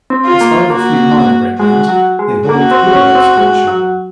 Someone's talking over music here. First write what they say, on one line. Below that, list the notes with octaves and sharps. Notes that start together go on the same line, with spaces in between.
In spite of a few minor breakdowns they hauled good loads to the shore.
C4
F4
A#3
A#3 F#4
G#3 F#4
F#3
G#3
A#3 F#4
C4
C#4
C4
G#3
F#3